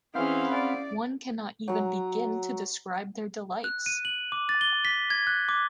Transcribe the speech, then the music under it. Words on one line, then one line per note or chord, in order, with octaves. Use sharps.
One cannot even begin to describe their delights.
E3 C4 C#4 G#4 C5 F5 F#5 B5
D5
F#3 A#5
F#6
D#7
F#7
D6
A6
G7
B6
G#6
F#6
D6